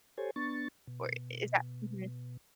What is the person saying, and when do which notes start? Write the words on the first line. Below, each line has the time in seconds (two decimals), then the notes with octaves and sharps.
or is that Mhm.
0.18 G4 A4 C5 C#5 G#5
0.36 B3 D4 C#6 A6
0.87 B2